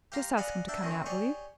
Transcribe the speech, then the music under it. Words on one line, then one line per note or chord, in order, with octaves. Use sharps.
"Just ask him to come out, will you?"
G4 F5 A#5 C6
D5 D#5 F5 F#5 G#5 B5
D4 E5 G5 A5
F#2 D#3 C4
G4 G#4 C#5 D5